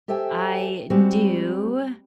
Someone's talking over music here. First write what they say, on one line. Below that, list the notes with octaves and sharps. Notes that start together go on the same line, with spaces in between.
I do.
G4 A4 C5 E5 G5 G#5
G3 G#3 C4 F#4 G4